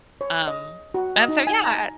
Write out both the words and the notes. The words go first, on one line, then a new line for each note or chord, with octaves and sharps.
Um, and so, yeah, ah,
C#5
D#5
F#4
D#5
D#4
G#5
A#5